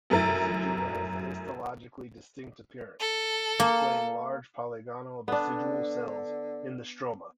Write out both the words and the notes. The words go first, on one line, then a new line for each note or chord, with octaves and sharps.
The decidua has a histologically-distinct appearance, displaying large polygonal decidual cells in the stroma.
F1 F#2 E4 A#4 A6
A4
A#3
D3 B3 D4